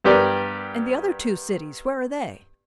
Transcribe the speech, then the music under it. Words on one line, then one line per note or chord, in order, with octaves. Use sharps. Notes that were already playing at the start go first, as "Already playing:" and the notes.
"And the other two cities----where are they?"
G2 B3 G4 A#4 D5